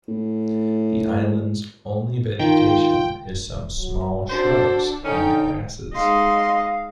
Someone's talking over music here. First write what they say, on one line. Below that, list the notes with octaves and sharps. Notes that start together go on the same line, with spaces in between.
The island's only vegetation is some small shrubs and grasses.
A2
D#3 F4 G5
F#3
D4 F#4 A4 C5
D3 C#4 D#4 A4 G5
G#3 D#4 D#5 F5 C6